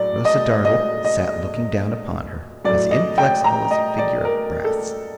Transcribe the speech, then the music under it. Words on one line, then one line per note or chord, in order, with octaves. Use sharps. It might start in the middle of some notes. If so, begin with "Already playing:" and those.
Rosa Dartle sat looking down upon her, as inflexible as a figure of brass.
Already playing: A2 F#3 D5
D#5
D#5
D#5
A2 F#3 D5
D#5
G5
A#5
D#5
D5
A#4
A4